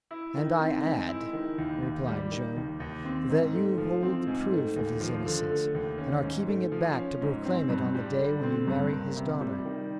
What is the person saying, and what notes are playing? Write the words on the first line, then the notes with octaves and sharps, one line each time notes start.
"And I add," replied Joam, "that you hold the proof of his innocence, and are keeping it back to proclaim it on the day when you marry his daughter."
E4
D#3
C4
G#3
E4
D#3
D#2
D#2
G3
D#3
D#2
D#2
C4
G#2
A3
F3
C4
G#2
A3
D#2
F3
D3
A3
D#2
C#4
G#2
A3
F3
C#4
G#2
C4
G2
G3
D3
C4
G2
A#3
C3
G3
D#3